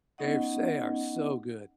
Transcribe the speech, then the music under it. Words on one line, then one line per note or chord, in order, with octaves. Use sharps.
Yes, they are so good.
B3 C#4 D#4 D#5 F#5